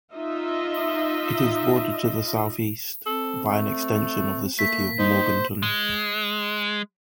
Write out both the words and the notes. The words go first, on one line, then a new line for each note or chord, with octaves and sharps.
It is bordered to the southeast by an extension of the city of Morganton.
D#4 F4 D#5 E5
C4 A4
A3
A3 A#3 B6
D#4 C5
G#3